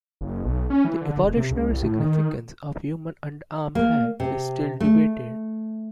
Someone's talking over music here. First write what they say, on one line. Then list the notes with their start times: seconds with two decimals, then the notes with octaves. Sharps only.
The evolutionary significance of human underarm hair is still debated.
0.21 F#1
0.44 B1
0.70 C#4
0.85 E3
1.02 D3
1.23 E1
1.37 C3
1.51 C#2
1.68 C2
1.83 A2
2.00 D#3
3.75 A#3
4.20 C3
4.80 A3